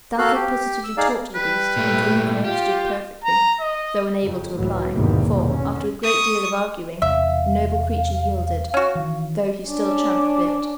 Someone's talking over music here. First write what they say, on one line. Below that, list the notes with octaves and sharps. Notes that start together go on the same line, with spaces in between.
Thalcave positively talked to the beast, and Thaouka understood perfectly, though unable to reply, for, after a great deal of arguing, the noble creature yielded, though he still champed the bit.
A#3 F#4 A4 F5 F#6
G4
E6
D#4 G#4 D5 F5
G3 B4
A#2 A3
F4 G4
A#5
D#5
F2 C#3
C#2 A2 E3 F#3
B1 E2 G#2 C3 D#3 A#3
D3 C#4
C#6 D#6
E1 E2 C3 E5 F5
C#4 F#4
D#3 E3
C#4 D4